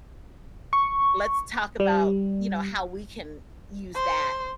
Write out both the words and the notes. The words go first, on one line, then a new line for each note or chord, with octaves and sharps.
"let's talk about," you know, "how we can use that,"
C#6
G3
C5